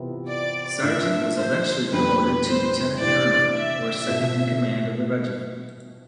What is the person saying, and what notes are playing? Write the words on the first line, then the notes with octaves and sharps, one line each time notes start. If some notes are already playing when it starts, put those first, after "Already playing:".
Sargent was eventually promoted to Lieutenant Colonel, or second in-command of the regiment.
Already playing: C3 E3 B3 F4
D5
D3 A3 D4 F4 E5
C5
F2 D3 G3 C4 B4
C5
C3 E3 A3 D4 D5
E5
B2 A3 C4 F4